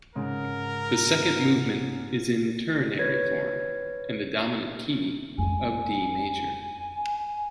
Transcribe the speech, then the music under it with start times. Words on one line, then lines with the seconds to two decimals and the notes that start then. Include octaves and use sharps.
The second movement is in ternary form and the dominant key of D major.
0.15 G#2 C#3 A#4
2.99 B4 C#5 G#6
5.38 F2 G#3 G#5